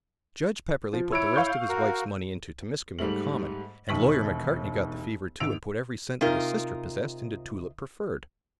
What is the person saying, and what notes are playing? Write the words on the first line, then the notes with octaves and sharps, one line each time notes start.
Judge Pepperleigh put the rest of his wife's money into Temiskaming Common, and Lawyer Macartney got the fever, too, and put every cent that his sister possessed into Tulip Preferred.
F3
E4 C#5 E6 D7
F5 C#6 G6
F#4 A#4
G#2 G3 A3 F#7
E1 D#2 C#6 B6 F#7
G#1 E6 D7 F7
C3 D#4 F4 A#4